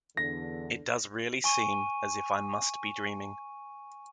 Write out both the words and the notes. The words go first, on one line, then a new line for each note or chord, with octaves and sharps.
It does really seem as if I must be dreaming.
E2 D3 A#6
G#5 C#6 D#7